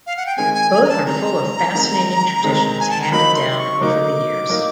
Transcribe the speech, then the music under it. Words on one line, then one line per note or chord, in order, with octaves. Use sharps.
Both are full of fascinating traditions handed down over the years.
F5
F#5
G5
D#3 G#3 C4 G#5
G#5
G#5
A#5
A5
D#3 G#3 C4 A#5
D#3 G#3 C4
D#3 G#3 C4
G#5
A5
A#5
F#3 A#3 D#4 B5
C6
C6
C#6
F#3 A#3 D#4 D6
F#3 A#3 D#4